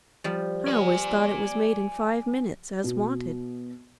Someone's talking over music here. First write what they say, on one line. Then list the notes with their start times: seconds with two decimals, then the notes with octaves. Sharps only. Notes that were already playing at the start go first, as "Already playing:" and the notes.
I always thought it was made in five minutes, as wanted.
0.24 F3 G3
0.68 D5 G#5
2.84 B2